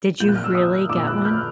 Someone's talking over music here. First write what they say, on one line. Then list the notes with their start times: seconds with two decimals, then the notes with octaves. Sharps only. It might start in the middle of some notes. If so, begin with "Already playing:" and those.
Did you really get one?
0.20 A#2 F3 G6
0.29 F#6
0.36 F6
0.44 E6 F#6
0.55 D#6 F6
0.89 A#2 F3 D6 E6
1.07 E6 F#6
1.25 F6 G6